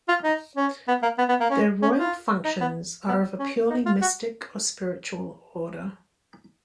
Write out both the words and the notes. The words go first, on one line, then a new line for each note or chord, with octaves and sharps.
Their royal functions are of a purely mystic or spiritual order.
F4
D#4
C#4
B3
A#3
B3
B3
A#3
C#4
C#4
F4
D#4
B3
B3
C#4
D#4
F4
F#4